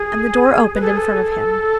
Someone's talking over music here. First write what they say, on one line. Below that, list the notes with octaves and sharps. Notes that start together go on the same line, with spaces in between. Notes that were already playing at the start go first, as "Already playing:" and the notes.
And the door opened in front of him.
Already playing: G#4
B4
A4
G#4
A4